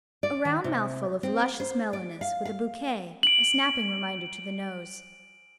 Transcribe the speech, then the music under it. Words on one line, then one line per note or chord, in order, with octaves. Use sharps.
A round mouthful of luscious mellowness, with a bouquet--a snapping reminder to the nose.
D5
D#3
C3
C4
C5
D5
F5
F5
D7 F#7